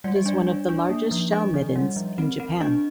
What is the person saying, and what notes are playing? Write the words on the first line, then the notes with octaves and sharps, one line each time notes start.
It is one of the largest shell middens in Japan.
G3 D5
D#5
D4 D5
D4
D4
A#3
F3
D4 D#5
D#3
G3
F3
C4
C4
D4 D#5